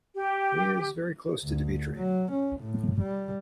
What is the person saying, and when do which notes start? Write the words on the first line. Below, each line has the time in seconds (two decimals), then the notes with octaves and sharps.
He is very close to Dmitri.
0.15 G4
1.44 D2
1.96 F#3
2.32 C#4
2.60 A2
3.01 G3